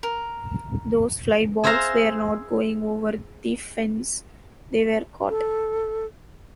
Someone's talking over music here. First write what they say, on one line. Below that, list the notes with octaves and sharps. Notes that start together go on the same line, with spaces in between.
Those fly balls were not going over the fence, they were caught.
A#4
G#4 C5 E5 F5 A#5
A4